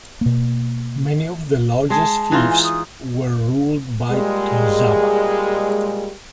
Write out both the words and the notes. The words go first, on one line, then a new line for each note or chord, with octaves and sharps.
Many of the largest fiefs were ruled by "tozama".
B2 A#3
G#3 G#4 A5
E3 D#4 F4
G#5
D#6
A#2 G3 G#3